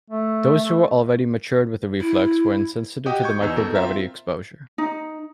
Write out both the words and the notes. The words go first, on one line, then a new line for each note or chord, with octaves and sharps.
Those who were already matured with the reflex were insensitive to the microgravity exposure.
A3
E4
F#4 G4 D#5 G5 D#6
C#6 G6 G#6
E2 D#4 E6
B2 A4 A#4
C4 F4 E5 A#5
D#4